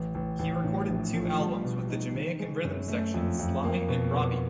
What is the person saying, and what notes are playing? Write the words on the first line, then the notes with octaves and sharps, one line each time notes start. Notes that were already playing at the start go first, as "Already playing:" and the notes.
He recorded two albums with the Jamaican rhythm section Sly and Robbie.
Already playing: A1
A1
A1
A2
A#1
F3
G3
B2
D#4
D#3
G#3
F#2
A3
F2
F2
A#3
B2
B2